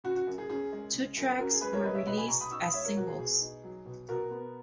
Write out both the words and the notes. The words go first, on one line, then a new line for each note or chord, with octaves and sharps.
Two tracks were released as singles.
C#3 F#4
F#4
F#2
G#4
C#4 G#4
G#3
C#3
F#2
C#4 F#4 A#4
G#4
G#3 G#4 B4
A#4 C#5
G#3 B4 D#5
C#5 E5
B2 B4 D#5
G#5 B5
B2 A#5 C#6
B5 D#6
D#4 C#6 E6
B5 D#6
G#3 C#5 E5
A#4 C#5
B2 F#4 A#4
G#4
B2 G#4
D#4
F#3
B2
B2 F#4 A#4
B3